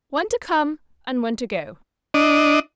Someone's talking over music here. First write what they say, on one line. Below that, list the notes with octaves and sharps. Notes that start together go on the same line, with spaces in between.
One to come, and one to go.'
D4 D#5